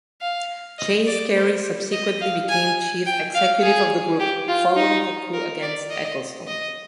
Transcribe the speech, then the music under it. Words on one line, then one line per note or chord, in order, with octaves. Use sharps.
Chase Carey subsequently became chief executive of the Group, following a coup against Ecclestone.
F5
D#5
D5
C5
D#5
F5
G#5
G5
F5
G#4
G4
F4
D#4
A#4
D5
D#5
D#5